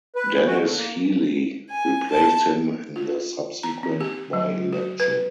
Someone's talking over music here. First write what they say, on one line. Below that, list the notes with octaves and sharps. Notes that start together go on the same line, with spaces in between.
Denis Healey replaced him in the subsequent by-election.
B4
E3
F#4
D3
A#3
G#5
A5
F4
A#5
C4
G4
F#3
F#4
B4